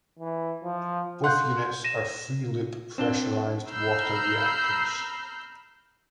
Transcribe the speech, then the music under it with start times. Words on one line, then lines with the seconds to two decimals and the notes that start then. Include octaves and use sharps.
Both units are three-loop pressurized water reactors.
0.19 E3
0.64 F3
1.24 F5 F#5 C6 F#6 G6
1.84 A#6 D#7 E7
2.98 C4 D4 E7 G7
3.69 A#5 B5 E6 F6 G6 C7